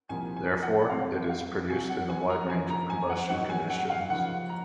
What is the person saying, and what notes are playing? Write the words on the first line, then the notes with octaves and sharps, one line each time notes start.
Therefore, it is produced in a wide range of combustion conditions.
C2 A#2 F3 G#5
G#5
F#5
F2 C3 F#3 F5
F5
C2 C3 F#3 G#5
F#5
G#5
A#5
F#2 F3 G#5
A#5
G#5
F#5
G#2 D#3 F#3 F#5
G#5
F#5
F5
D#2 C#3 F3 F#5
A#5